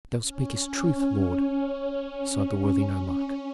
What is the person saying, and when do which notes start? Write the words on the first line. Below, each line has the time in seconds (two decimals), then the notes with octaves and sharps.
"Thou speakest truth, lord," sighed the worthy nomarch.
0.21 C#4